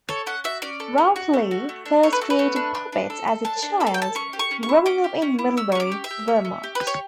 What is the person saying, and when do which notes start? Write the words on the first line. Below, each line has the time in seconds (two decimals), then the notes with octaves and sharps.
Ralph Lee first created puppets as a child growing up in Middlebury, Vermont.
0.09 A4 C#5
0.26 C#4 F#5
0.44 F#4 E5
0.62 C#4 D5
0.80 A4
0.98 C#4
1.16 F#4
1.33 A3
1.51 F#4
1.69 A3
1.86 D4
2.03 A3 C#5
2.13 B4
2.21 F#4 A4
2.30 B4
2.39 A3
2.56 D4
2.75 D4
2.92 D4
3.10 A4
3.27 A4
3.45 D4 A5
3.62 D4
3.80 A4 B5
3.87 A5
3.94 G5
3.98 A4 A5
4.15 C#4 C#6
4.33 G4
4.39 C#6
4.51 C#4
4.63 C#6
4.69 E4
4.86 C#4 D6
5.04 G4
5.22 C#4
5.39 E4
5.57 C#4 E6
5.72 C#6
5.75 C#4 D6
5.92 G4
6.04 E5
6.11 G4
6.28 C#4
6.45 C#4
6.64 G4
6.75 B4
6.81 G4
6.87 C#5